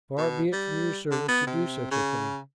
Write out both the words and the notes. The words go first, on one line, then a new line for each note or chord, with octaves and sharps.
Far be it from your servants to do such a thing!
B2
G3
D3
B3
C3
C#3